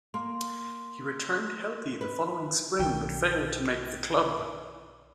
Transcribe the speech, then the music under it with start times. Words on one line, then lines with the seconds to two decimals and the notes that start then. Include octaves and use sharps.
He returned healthy the following Spring, but failed to make the club.
0.14 A#3 C6
2.01 B4
2.79 B1 D#3 G5